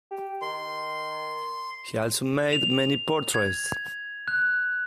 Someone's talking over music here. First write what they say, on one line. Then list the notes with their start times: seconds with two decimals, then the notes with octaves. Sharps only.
He also made many portraits.
0.11 G4
0.42 D#3 C6
2.53 F7
3.34 G#6
4.28 F#6